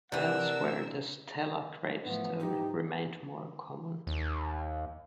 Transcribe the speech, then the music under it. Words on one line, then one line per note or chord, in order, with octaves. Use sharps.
Elsewhere the stela gravestone remained more common.
C3 E3 D4 A#4 F#5 E6
A2 E3 F3 B3
G#2 D#4 G4
D#2